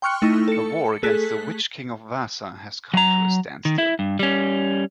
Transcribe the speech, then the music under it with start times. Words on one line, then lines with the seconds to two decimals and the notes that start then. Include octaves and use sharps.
A war against the Witch-King of Vaasa has come to a standstill.
0.02 G5 C6 C#6 F6 F#6 C#7
0.22 A3 D#4 E4 C#6 E6 A#6
0.48 A4 C#7
1.03 A3 G#4 A4 F#6 B6
2.94 F#3 A#5
3.65 D#3
3.78 E4
3.99 G2
4.19 G3 C#4